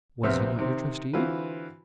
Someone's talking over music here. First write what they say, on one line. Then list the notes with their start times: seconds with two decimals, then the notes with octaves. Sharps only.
'Was he not your trustee?'
0.23 A#1 C3 B3 C4 E5 F6
0.59 C3 D#3 C4
1.13 D3 E3 C4 F4 F#4 B4